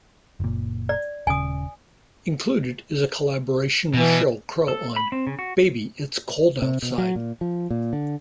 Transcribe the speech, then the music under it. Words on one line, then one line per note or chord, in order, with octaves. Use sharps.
Included is a collaboration with Sheryl Crow on "Baby, It's Cold Outside".
F#1 A#2
D5
D#1 C#3 G#5 D#6
B2 E3
A4
B5
C4
C#3
F#4
C3
B2
F#3
A#2
F3
A#2
D3